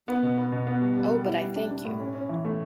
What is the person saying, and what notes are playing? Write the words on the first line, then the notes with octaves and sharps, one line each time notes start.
Oh, but I thank you!
B3
B2
B3
B2
B3
G3
G3
G3
E4
G3
D4
D4
A2
C#4
C#4
E3
A3